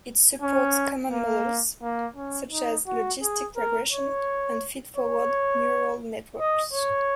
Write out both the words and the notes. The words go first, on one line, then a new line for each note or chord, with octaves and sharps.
It supports common models such as logistic regression and feedforward neural networks.
C#4
A#3
A#3
C#4
D#4
F#4
G#4
A#4
C#5
C#5
D#5
C#5